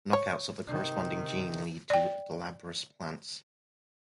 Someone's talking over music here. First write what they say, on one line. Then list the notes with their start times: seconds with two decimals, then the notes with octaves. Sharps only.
Knockouts of the corresponding gene lead to glabrous plants.
0.13 C#5
0.67 C3 D#3
1.90 D5 G5